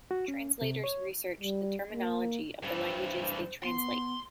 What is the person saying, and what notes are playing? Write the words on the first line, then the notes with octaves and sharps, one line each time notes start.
Translators research the terminology of the languages they translate.
F#4
C#4
C3
C#5
G3
A#3
G2 E3 C5
B3 C6